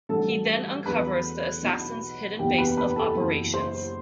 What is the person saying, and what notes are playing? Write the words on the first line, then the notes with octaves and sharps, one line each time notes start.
He then uncovers the assassin's hidden base of operations.
A1 G2 D3 F#3 A4 A5
E2 D3 F#3 B4 B5
B1 B2 F#3
F#1 E2 B2 F#3 G4 G5
B4 B5
B4 B5
A4 A5
F#1 F#2 E3
C5 C6